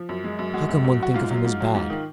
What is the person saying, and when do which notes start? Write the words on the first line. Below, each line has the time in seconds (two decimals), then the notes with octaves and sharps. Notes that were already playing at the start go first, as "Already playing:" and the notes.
How can one think of him as bad?
Already playing: F3
0.09 F#2
0.24 G#3
0.39 F#2
0.54 G#3 F#4
0.69 F#2
0.84 F#2
1.00 F#2 F#4
1.14 G#2 F4
1.31 F#3
1.45 G#2
1.60 F#3
1.75 G#2
1.90 D#3